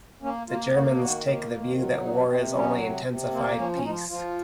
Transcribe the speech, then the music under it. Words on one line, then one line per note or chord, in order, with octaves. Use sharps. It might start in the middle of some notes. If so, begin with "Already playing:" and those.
The Germans take the view that war is only intensified peace.
A#3 C#4
A#3 F4
A#3 F#4
D#3 F#4
A#3
D#3
F#3 F4
C3 D#4
C3 C4
F#3 C#4
C3
C3
A#3 C4
F3 C#4
C#4
F3 D#4
F3 F4